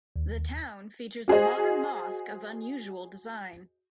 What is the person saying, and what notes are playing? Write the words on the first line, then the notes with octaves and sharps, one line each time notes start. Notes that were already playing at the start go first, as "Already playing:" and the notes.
The town features a modern mosque of unusual design.
D#2
F#4 G#4 C5 D#5